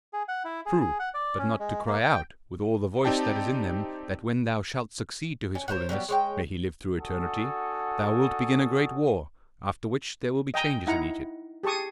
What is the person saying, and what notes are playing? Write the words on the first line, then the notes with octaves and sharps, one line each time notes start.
"True; but not to cry out, with all the voice that is in them, that when thou shalt succeed to his holiness--may he live through eternity!--thou wilt begin a great war, after which there will be changes in Egypt."
G#4
F#5
E4
G#4
G#4
F#5
D5
C#4
G#3
A#3
G5
C4 D#4 G4 D5 G5 A5
C#4
A#4 C5 C#5 F#5
F#3 G3 A#3 B3
G#3 C#5 G5
D4 F#4 A4 F#5 G#5 D#6
D#5 G5 G#5 A#5
D#4 E4 F#5 A#5
G4 G#4 A5 C#6 D#6